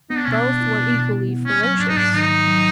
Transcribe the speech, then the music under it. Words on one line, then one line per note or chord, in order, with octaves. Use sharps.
Both were equally ferocious.
B3 D#4
D4
C#4
B2 D4
B3
E4
B2
B2
E4
B3
A#3 C#4
F#3 C#4
G#2 D4
D#4
G#2 D4
D#3 D#4
D#3
F#3